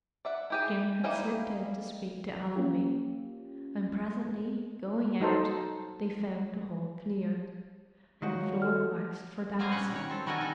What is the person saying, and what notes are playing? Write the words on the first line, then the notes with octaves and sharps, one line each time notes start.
Jim had slipped out to speak to Allenby: and presently, going out, they found the hall cleared, and the floor waxed for dancing.
D5 E5 F#5
E4 G4 G#4
E3 G3 A#3 D#4 E4
A#3 C#4 F4 G4
F#3 D#4 A4 C5
D#3 F3 F#3 F#4
G4 A4 F6
F#3 A#3 C4 C5 G#5 A#5
B2 G3 C#4 F#5
D#3 C#5
C4 A4
D#3 G3 F#4 A#4 D#5 G#5
D#4 A4